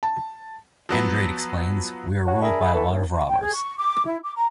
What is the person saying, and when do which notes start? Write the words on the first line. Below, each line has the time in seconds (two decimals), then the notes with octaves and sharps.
Andrade explains, We are ruled by a lot of robbers.
0.03 A5
0.89 F3 F#3 B3
2.27 F#4 C#5 F#5
2.41 D4 G#4 A#4 E5 G#5 B5
2.61 G#4 A4 E5 B5
2.74 E3 A3 B3 A4 B4
2.90 D#2
3.27 G5
3.40 G#4
3.52 C#6
3.78 D6
4.04 E4
4.23 D6
4.35 A#5